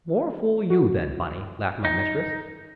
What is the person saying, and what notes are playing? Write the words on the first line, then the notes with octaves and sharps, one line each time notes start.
"More fool you, then, Bunny," laughed my mistress.
F#4
D#4